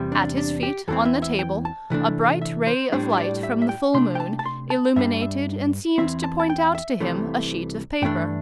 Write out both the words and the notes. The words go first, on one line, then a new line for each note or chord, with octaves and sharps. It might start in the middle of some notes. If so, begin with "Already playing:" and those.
At his feet, on the table, a bright ray of light from the full moon illuminated and seemed to point out to him a sheet of paper.
Already playing: E2 C3 G3
D4
D4
G4
E2 E3 C4 A4
E5
E5
G5
A5
C3 E3 A3 D4
E5
C5
A2 G3 D4 C5
E5
D5
E5
E5
G5
C3 A3 D4 C6
G5
A5
A5
C6
A5
G2 G3 D4 E5
E5
E2 E3 C4 E5
A5
A5
G5
E5
C2 C3 E3 A3
G2 E3 A3 D4 G5